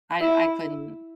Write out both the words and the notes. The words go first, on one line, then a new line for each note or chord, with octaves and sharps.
I I couldn't.
E4